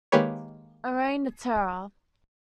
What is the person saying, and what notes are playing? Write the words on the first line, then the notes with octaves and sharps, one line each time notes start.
A Reign of Terror.
D#3 G#3 A#3 G4 B4 C#5